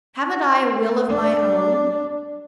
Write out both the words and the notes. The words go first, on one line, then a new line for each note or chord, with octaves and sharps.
Haven't I a will of my own?
D4